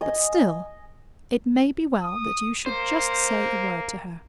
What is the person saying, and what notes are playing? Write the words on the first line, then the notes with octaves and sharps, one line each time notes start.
But still, it may be well that you should just say a word to her.
D#5 G#5 D#6
D#6
A#3 C5